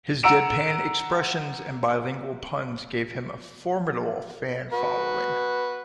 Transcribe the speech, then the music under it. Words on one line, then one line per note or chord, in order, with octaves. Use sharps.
His deadpan expressions and bilingual puns gave him a formidable fan following.
F#5 A#5 E6 D7 E7
F#4 B4